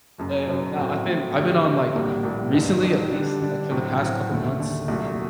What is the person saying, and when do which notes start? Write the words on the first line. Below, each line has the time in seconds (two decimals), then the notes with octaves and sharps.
Eh, no, I've been I've been on, like recently at least, like, for the past couple months,
0.18 F#1 F#2 F#3
0.48 F#1 F#2 F#3
0.77 A2 F#3 A3 C4
1.07 A2 F#3 A3 C4
1.36 D3 A3 C4 G4
1.65 D3 A3 C4 G4
1.95 A#1 A2 G3 A#3 F#4
2.23 A#1 A2 G3 A#3 F#4
2.54 A1 G2 D#3
2.82 A1 G2 D#3
3.12 D3 G3 D4
3.41 D3 G3 D4
3.71 A2 F#3 C4 F#4
4.00 A2 F#3 C4 F#4
4.29 D#2 D3 A3
4.59 D#2 D3 A3
4.88 C2 A#2 F#3 A3